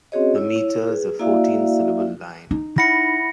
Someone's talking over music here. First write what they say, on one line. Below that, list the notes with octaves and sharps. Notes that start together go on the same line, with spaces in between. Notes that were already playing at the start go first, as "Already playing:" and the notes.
The metre is a fourteen-syllable line.
C4 C#4 F#4 G#4 C#5 D#5
E4 C#5
G#4 B4
A#3 E4 F#4 D5 E5 F5
D#4
E4 F#5 B5 A#6 C#7